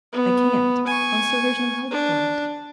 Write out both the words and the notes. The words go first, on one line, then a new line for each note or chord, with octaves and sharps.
"I can't! and so there's no help for it."
B3
G#5 C#6
D4